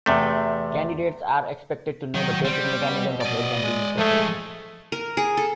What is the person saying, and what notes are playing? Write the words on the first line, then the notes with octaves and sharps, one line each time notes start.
Candidates are expected to know the basic mechanisms of health and disease process.
E2 C3 A3
D#3 F#3 D#4
G3 C4
B2
D5 D#5
G#3
F3 A3 G#4
A#4
G#4
A4